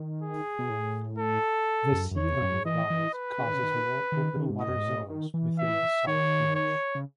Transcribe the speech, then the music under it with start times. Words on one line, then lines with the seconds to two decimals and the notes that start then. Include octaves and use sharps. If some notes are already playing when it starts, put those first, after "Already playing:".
The sea level rise causes more open water zones within the salt marsh.
Already playing: D#3
0.22 G#4
0.59 B2
0.70 A2
1.18 A4
1.92 F#2
2.11 F#2
2.17 E2 C#5
2.41 F#2
2.65 E3 D#5
2.90 E3
3.14 B4
3.38 C#3
3.47 D#3
3.54 C#3
3.63 D#3
4.12 D#3
4.36 D#3
4.50 G#2
4.60 A2 D#5
4.69 F#2
4.77 G#2
4.86 A2
5.09 D#3
5.34 E3
5.59 E5
6.07 D#3 C#5
6.55 C#5
6.95 C#3